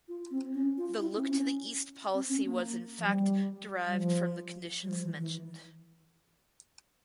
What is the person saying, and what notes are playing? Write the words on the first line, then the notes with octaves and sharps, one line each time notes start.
The "Look to the East policy" was in fact derived from the conditions mentioned.
F4
C4
C#4
F4
E4
C4
C#4
C4
C#4
A#3
F3
G3
G3
F3
G3
F3
E3
E3